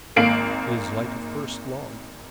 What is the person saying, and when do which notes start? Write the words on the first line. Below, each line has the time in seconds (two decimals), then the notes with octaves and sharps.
It is like a first love.
0.16 G#1 A#3 F5 C7 D7 F#7